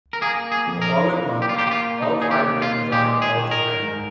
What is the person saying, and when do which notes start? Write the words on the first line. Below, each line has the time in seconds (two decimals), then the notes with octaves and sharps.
The following month, all five men joined All Japan.
0.13 A#4
0.21 A#3 G#4
0.52 G#4
0.67 F2
0.82 A#4
1.11 A#3
1.42 G4
1.49 F4
1.56 A#3 G4
1.67 G4
1.71 F4
2.01 D#2 D#4
2.22 G#4
2.31 G4
2.47 D#2
2.62 F4
2.91 G#3 G4
3.22 G#4
3.37 D#3
3.51 A#4
3.82 G#2